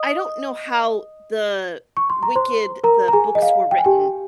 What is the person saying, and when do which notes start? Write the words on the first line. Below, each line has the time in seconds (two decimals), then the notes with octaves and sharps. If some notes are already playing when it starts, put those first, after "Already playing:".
I don't know how the Wicked the books were written
Already playing: D#5 D#6
1.97 C#6
2.10 C6
2.23 A#5
2.36 C5 C6
2.84 A#4 A#5
3.08 A#5
3.13 G#4 G#5
3.35 D#5
3.42 F5
3.71 G5
3.78 G#5
3.85 G4 G5